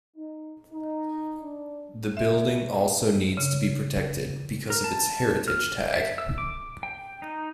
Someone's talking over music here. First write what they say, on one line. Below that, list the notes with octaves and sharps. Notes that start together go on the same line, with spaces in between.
The building also needs to be protected because of its heritage tag.
D#4
D#4
D4
E5
C#3
A#4
A5
F6
E5
E6
D6
G5
D#4